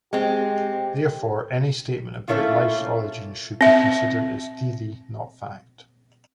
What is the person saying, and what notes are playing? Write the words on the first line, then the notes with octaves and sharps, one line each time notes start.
Therefore, any statement about life's origins should be considered as theory, not fact.
G#3 C4 G4
A3 A#3 C#4 E4 F4
C4 E5